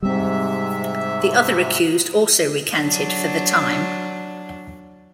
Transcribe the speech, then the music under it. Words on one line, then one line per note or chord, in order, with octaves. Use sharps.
The other accused also recanted for the time.
G#2 C3 G3 C4 E5
F#3 D4